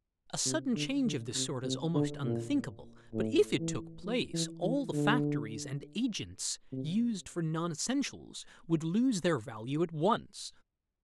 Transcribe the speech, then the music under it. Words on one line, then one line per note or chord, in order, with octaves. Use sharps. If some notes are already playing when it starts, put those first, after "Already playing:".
A sudden change of this sort is almost unthinkable, but if it took place, all the factories and agents used for non-essentials would lose their value at once.
C3
D3
D3
C3
C3
D3
A#2
A2
E3
F3
E3
E3
D3
C3